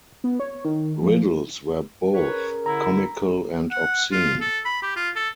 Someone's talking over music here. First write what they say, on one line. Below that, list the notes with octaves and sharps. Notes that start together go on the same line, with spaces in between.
Riddles were both comical and obscene.
B3
C#5
D#3
F3
C#4 G#4 A#4 B4 C#5
D3 E4 A#5
F#5
F4
A4
B5
G4
F4
A4